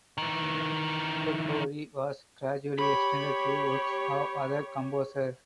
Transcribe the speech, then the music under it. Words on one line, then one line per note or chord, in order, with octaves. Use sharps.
The repertoire was gradually extended to works of other composers.
D#3 E3
G4 C#5 B5